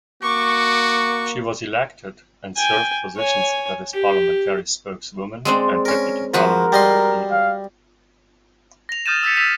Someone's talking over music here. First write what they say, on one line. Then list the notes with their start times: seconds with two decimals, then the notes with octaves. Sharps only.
She was elected and served positions that is parliamentary spokeswoman and deputy parliamentary leader.
0.23 A#3 F#4 C#6 D6
2.57 G5 G#5
3.16 C#5 G#5
3.94 G4
5.45 G#3 C4 D4
5.85 C#4 A#4
6.34 F3 G#3 F#4 A#4 B4
6.72 G3 D#5 C6
7.31 F5
8.89 A#6 F7
9.06 D#6 F6 G6 A6 D#7 E7
9.23 E6 A6 B6 C#7
9.36 E6 A6 B6 E7 F7